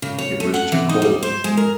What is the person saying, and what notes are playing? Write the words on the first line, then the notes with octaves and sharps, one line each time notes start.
It was too cold.
C#3
C#5
A3
F#5
E3
D#4
G3
C5
G#3
A#4